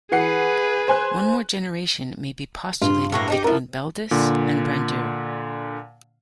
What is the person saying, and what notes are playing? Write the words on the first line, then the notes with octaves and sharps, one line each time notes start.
One more generation may be postulated between Beldis and Brandir.
E3 G#4 B4 F#5 C7
C5 G#5 F#6
G2 F4
A2 F#3 A#3
D4 D#4 G4
D3 F3 E4 A#4
A#2 D3